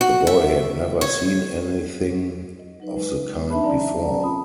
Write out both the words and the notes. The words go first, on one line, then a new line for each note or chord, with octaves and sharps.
The boy had never seen anything of the kind before.
F#4
E5
C#5
D#5
F#3 D#4 B4
G#3 B4
C4 D4 D#4 E5 A5 B5
F#3 C#4 D5 A5 A#5
C4 C#4 F4 A5 B5 D#6